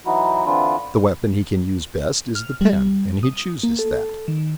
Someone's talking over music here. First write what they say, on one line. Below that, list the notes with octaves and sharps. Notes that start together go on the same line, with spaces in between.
The weapon he can use best is the pen, and he chooses that.
E3 F#3 D#4 E4 F#4
D3 E3 C4 D4 E4 F4
F6
G3
D#6
A#3
A4
D#3